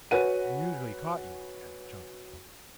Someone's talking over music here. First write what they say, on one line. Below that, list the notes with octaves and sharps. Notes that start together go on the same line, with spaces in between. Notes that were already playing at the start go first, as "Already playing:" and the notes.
"And usually caught you," added Chunky.
F#4 B4 C#5 F#5 G#5 D#7